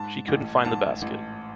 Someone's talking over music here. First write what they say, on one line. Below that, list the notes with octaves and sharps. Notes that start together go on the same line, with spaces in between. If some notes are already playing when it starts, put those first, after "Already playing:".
She couldn’t find the basket.
Already playing: G#2 A5
A1
G#2 A5
A1